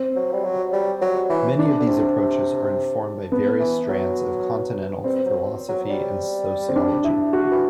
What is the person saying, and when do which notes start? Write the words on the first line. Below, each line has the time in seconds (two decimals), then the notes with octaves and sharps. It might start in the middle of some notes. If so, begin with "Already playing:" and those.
Many of these approaches are informed by various strands of Continental philosophy and sociology.
Already playing: C4
0.16 F#3
0.33 G3
0.44 F#3
0.73 G3
1.01 F#3
1.30 E3
1.59 D4
1.79 D3
1.87 C3
2.17 C3
3.32 B3
3.59 E3
3.88 F#3
5.04 G3 C4
5.25 F#3
5.68 F#3
5.90 G3
6.68 C4
6.76 D4
7.04 E4
7.33 F#4
7.51 E3